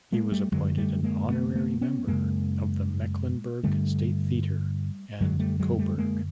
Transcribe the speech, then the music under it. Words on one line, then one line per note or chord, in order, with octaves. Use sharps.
He was appointed an honorary member of the Mecklenburg State Theatre and Coburg.
G#3 A#3
G3 A3
F#2 D3 F#3 G#3
G3 A3
G#3 A#3
A3 B3
A3 B3
B3 C#4
F#2 C#3 G#3 A#3
G2 D3 G3 A3
F#2 D3 F#3 G#3
G3 A3
F#3 G#3
G3 A3
G#3 A#3